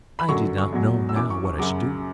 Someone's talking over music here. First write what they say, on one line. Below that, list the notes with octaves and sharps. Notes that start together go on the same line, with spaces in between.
I did not know now what I should do.
B5
F#2 D3 F#3 C#6
C#6
E2 B2 F#3
E6
F#2 E3 D6
C#6
C#6
F#2 C#3 F#3 D6